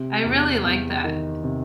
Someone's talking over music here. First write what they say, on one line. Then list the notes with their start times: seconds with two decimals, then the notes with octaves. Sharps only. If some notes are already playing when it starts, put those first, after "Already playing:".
I really like that.
Already playing: C3
0.25 E2
0.64 E2
1.04 D#3
1.44 C3